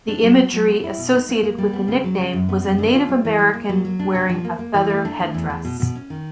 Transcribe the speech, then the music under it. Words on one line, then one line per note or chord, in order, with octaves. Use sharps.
The imagery associated with the nickname was a Native American wearing a feather headdress.
D4
F#3
B3
F#3
B3
E4
B2
D#4
A#3
A#3
G3
B3
C#3
F#3
C#3
F#2
B3
F#2
D3
F4
G3
E3
G3
A#3
F#3
F#3
D4
C3
F3
A#3
A#3
E3
A3
D4
E3
E2
E2
B2
B2
C#4
D#3